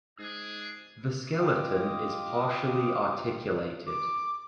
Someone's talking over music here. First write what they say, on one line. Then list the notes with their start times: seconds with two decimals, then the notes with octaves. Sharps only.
The skeleton is partially articulated.
0.19 G#2 D4 G#4
1.38 F4 G4 D#5 D6 D#6
3.86 D6